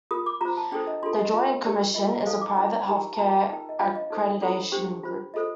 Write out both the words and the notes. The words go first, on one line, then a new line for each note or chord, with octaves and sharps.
The Joint Commission is a private healthcare accreditation group.
F4 A#4 D#6
D6
F4 C5 A#5
A5
D4 A4 C5 G5
D#5
D4 F4 A4 C6
D#5
F4 A#4
D4 G4 A#4 D5
F4 A#4 D#5
D#5
D#4 A4 C5 F5
D6
D4 F4 C5 A#5
D#4 G4 A#4 A#5
A5
F4 A#4 A#5
D#4 A#4 G5
D#5
D4 F4 C5 F5
D#5
D#4 A4 C5
D4 F4 A4 C5
D4 G4 C5 G5
F4 C5
F4 A4 C5 D#5